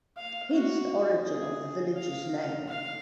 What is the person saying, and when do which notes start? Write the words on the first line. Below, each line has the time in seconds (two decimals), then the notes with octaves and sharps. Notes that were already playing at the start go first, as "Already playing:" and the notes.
Hence, the origin of the village's name.
0.17 F5
0.53 F#4
1.24 G#4
1.97 F5
2.68 F5